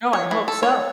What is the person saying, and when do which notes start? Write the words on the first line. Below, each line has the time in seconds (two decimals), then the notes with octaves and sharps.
Oh, I hope so.
0.13 C#5
0.31 E3
0.48 A4
0.63 C#5